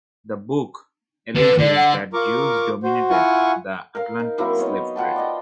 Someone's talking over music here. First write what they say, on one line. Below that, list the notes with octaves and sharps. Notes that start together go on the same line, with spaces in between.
The book alleges that Jews dominated the Atlantic slave trade.
D3 B4
D3 D5
F#5
F4 A#4 A#5 C#6 D6
F#4 C5
E4 F4 F#5 G#5 C#6
A#4 F5
D#4
F#3 A#3 C4 E4
B3 D#4 C#5 D#5
F4 F#5 G5 A5
D5 D#5 G5